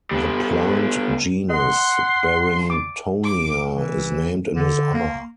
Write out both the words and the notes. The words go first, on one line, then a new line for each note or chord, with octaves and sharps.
The plant genus "Barringtonia" is named in his honour.
G3 B3
D#5 F#5 C6
D6
D6
E3
D3
A#3